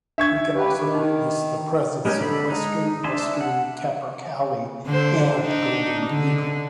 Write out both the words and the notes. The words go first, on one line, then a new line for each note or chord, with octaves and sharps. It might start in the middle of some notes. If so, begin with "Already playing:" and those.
We can also witness the presence of western western capercaillie and golden eagle.
D4 E5 C#6 E6 G#6
G4 B4
D#3 G4 D6
D#4
G3 G#3 C#4 D#4
D3 D4 A4 B5
G#3 D#4
D4 E5 G#5 A5 C6
F#5
D3 C5
D4 D#4
D3